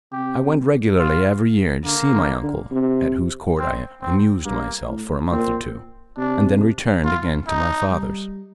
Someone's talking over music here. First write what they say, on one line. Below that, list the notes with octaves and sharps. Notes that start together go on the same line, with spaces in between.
I went regularly every year to see my uncle, at whose court I amused myself for a month or two, and then returned again to my father's.
C3 G4
F4
D3 A#3
D3
D3
C3
C4
C4
G2 A#3
A2
A#2 C4
C3 D4
F4
D#4
G3